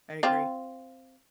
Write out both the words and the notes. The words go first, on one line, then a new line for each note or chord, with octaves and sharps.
I agree.
C4 F4